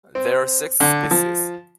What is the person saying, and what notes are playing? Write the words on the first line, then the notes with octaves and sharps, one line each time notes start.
There are six species.
C4
D3
F3